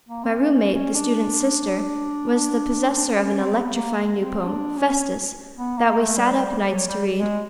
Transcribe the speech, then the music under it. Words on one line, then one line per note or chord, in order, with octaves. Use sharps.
My room-mate, the student's sister, was the possessor of an electrifying new poem,--"Festus,"--that we sat up nights to read.
A#3
C4
C#4
C#4
C#4
D4
D4
D4
C#4
C#4
C4
B3
A#3
C4
D4
C#4
B3
A#3
A3
G3
G3
G3
F#3
G3
G#3